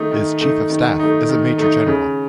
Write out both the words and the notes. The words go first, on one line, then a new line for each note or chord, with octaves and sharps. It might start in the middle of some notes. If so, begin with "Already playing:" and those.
His chief of staff is a major general.
Already playing: D#3 A3 D#4
D#3
A3 D#4
D#3
A3 D#4
D#3
A3 D#4
C#3